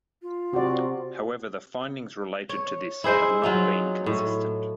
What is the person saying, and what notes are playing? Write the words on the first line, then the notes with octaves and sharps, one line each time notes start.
However the findings related to this have not been consistent.
F4
C3 F#4 D5
C#5
E4 G#4 C5 D#5
F#3 D#4 F4
A2